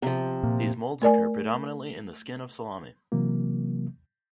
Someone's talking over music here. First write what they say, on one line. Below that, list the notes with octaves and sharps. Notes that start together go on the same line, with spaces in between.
These molds occur predominantly in the skin of salami.
C3 F3
A#2
A3 A#4 D5 G#5
C3 E3 F#3 A#3